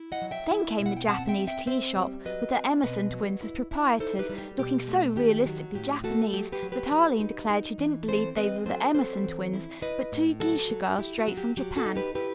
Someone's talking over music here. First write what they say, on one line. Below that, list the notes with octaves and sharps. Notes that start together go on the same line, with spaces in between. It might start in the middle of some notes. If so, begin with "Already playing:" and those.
Then came the Japanese tea shop, with the Emerson twins as proprietors, looking so realistically Japanese that Arline declared she didn't believe they were the Emerson twins, but two geisha girls straight from Japan.
Already playing: E4
D#5 F#5
F#3
E5 G5
E4
B2
F#5
G5
C4 F#5 A5
E5 G5
C4
E5 G5
C4 C5 E5
G3
F#3 B4 D#5
C4
B2 B4 D#5
F#3
E4
E4
D#4 A4 C5
G4 B4
G3
G4
B2 G4
A3
D#3 G4
F#3
A2 G4
A3 F#4 A4
F#3 G4
G4 B4
F#3
G4 B4
F#3
D#4
D#4
E3
C4 A4 C5
C4 B4 D#5
F#3 A4 C5
C4 A4 C5
E3
E4
E4 B4 D#5
A2
F#3 F#4 A4
F#3
E4 G4
F#4
F#3
G4
F#3 G4
F#4 A4
D#4
G4 B4
E4 G4 B4